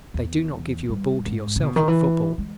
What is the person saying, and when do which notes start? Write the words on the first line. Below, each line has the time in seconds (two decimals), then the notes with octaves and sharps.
They do not give you a ball to yourself at football.
0.14 E2
0.89 G2
1.26 G#2
1.56 C#3
1.63 B2
1.76 D#3
1.88 E3
2.38 G#3